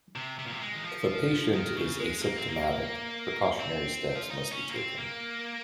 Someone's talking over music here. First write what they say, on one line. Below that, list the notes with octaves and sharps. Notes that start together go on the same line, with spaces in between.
If a patient is asymptomatic, precautionary steps must be taken.
C3
C3
A#2
C3
G#3
D#3
F3
D#3
C#3
G#3
A#3
C4
A#3
C4
F4
D#4
C#4
A#3
C4
A#3